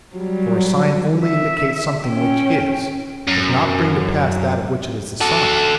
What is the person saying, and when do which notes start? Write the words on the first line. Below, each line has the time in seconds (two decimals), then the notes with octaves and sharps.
For a sign only indicates something which is, does not bring to pass that of which it is the sign.
0.16 F#3 G3
1.25 E5
2.07 C#4 G5
3.28 F#2
5.21 F#4 A4